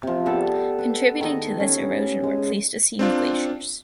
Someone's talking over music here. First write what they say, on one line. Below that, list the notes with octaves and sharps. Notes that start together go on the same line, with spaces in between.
Contributing to this erosion were Pleistocene glaciers.
C3 F3
B3 G4 A4 D5
B4
D#3 A4 D#5
C#4
G#3
C4 D4 F4